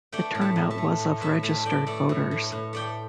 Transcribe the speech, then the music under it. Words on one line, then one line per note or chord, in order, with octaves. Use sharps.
The turnout was of registered voters.
A3 D5 G5
A2
E5 A5
A2
E5 A5
A3
A2
A2 E5 A5
A3 E5 A5
A2 D5 G5
A3 A4 D5
A2
A2
A2
A3 D5 G5